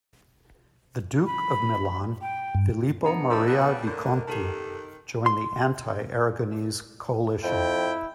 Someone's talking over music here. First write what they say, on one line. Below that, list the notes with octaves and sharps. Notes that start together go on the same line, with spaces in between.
The Duke of Milan, Filippo Maria Visconti, joined the anti-Aragonese coalition.
B5
G5
G2
B3 D4 A#5 C#7
G#2 G3 A5 E6
B3 A5 F#6
D3 A#4
D#3 G4 A4 A5
C6
F2 E4 G5